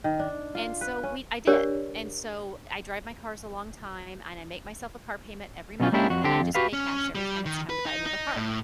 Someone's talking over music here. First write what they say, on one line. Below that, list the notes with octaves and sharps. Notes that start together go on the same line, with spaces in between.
and so we I did, and so I drive my cars a long time, and I make myself a car payment every month, and then I just pay cash every time it's time to buy another car,
D#3
D4
F4
B4
C#4
D4 G4 A#4 C#5 D5
B2 F#3 C#4 F4
G#3 A#3 C#4 D4 E4 G4
F2 F#4
D3 C4 G4
F2
F#4 G4 B4 F5
C#4
G3
D#3
B4
D#4
D#4
A2